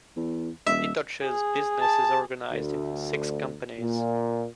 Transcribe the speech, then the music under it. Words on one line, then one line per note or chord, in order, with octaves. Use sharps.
Itochu's business is organized into six companies.
E2
D#1 E5
G#4
A5
D2
A#2